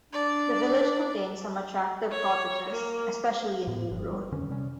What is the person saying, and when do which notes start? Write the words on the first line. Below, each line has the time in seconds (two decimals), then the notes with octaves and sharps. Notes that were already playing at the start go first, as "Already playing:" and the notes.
The village contains some attractive cottages especially in New Road.
0.13 D4 D5
2.12 C#5
2.70 A#3
3.67 A2 B3
3.91 F#1 G2
4.11 G3
4.32 F2 D3 D#3 C#4
4.49 C3 G3 C#4